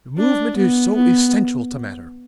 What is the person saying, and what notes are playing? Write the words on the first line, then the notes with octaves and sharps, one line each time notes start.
Movement is so essential to matter!
D4
B3
B3